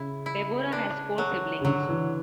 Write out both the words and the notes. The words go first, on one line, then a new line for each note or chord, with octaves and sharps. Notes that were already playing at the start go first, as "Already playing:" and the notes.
Deborah has four siblings.
Already playing: C#3 E4
E4
D4
F#3
C#3
D3 F#3
E3